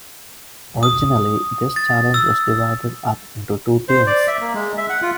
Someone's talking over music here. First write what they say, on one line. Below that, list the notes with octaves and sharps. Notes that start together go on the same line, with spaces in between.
Originally this challenge was divided up into two teams.
D#6
A6
E6
C5
D5
E5
A#3
G#3
E5
F#5
F4